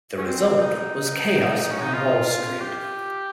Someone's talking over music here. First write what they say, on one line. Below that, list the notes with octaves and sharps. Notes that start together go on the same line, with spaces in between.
The result was chaos on Wall Street.
C#4
C4
D#4
C#4
D#4
F4
F4
G4